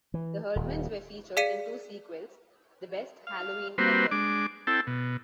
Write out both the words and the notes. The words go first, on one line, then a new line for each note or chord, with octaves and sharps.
The Herdmans were featured in two sequels, The Best Halloween Ever!
E3
D#1
G#4 D5 F5 B6 C#7 D#7
F5
G3 A#3 C4 F#4 B4 C5
G#3 D4 D6
C4 E4 A4 G5 A5
B2